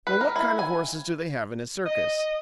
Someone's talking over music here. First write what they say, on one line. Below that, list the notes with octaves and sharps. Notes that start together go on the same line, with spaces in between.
Well, what kind of horses do they have in a circus?
B4
A#4
E4
G#5
D#5